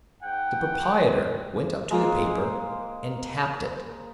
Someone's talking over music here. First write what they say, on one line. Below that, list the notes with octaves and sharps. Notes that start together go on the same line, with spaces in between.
The proprietor went up to the paper, and tapped it.
G#2 F#5 G5
G#3 A#3 C5